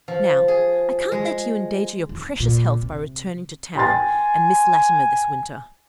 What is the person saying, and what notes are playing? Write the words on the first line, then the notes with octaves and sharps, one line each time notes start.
Now, I can't let you endanger your precious health by returning to town and Miss Latimer this winter.
F3
G#4
G#3
F1
A#2
C3
G5 G#5 C6 A6